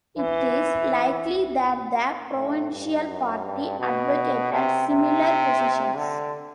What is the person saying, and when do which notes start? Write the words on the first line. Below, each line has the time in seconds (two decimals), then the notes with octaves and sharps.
It is likely that the provincial party advocated similar positions.
0.18 E3
2.35 A2
2.72 G2
3.07 F#2
3.44 G2
3.80 B2
4.52 C3
4.88 C3
5.97 D3